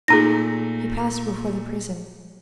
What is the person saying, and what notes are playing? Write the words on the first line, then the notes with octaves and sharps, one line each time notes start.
He passed before the prison.
A#2 A3 D#4 F4 G#4 A#5 A#6